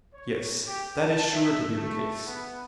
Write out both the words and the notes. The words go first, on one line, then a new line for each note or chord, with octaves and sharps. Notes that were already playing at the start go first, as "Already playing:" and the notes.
Yes, that is sure to be the case.
C#5
G4
A5
E5
A3
B3